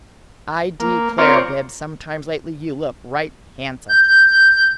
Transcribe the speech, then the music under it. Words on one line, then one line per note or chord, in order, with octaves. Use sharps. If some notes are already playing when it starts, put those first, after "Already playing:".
"I declare, Bibbs, sometimes lately you look right handsome!"
A#3
C4 F4 A#4 C#5 D5
G6